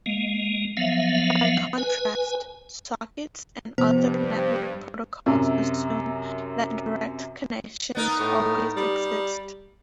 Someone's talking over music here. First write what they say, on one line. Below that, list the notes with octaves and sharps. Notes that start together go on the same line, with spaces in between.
By contrast, sockets and other network protocols assume that direct connections always exist.
G#3 A#3
F3 F#3 B3 E5 F5
B4 G#5
G2 C3 F3 B3 C5
F#2 C3
B3 D#4 A#4
A2
G3